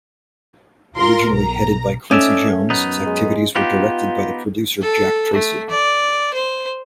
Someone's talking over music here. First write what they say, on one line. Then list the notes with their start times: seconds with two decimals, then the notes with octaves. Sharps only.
Originally headed by Quincy Jones, its activities were directed by the producer Jack Tracy.
0.96 F4 A#4 C6
1.31 B1 A#5
2.11 A3 C#4 D#4 D5 E5
2.70 F#2 B3 D#4
3.06 G#3
3.56 B3 D#4 F4 G4
4.82 A4
5.33 A3
5.70 D5
6.34 C5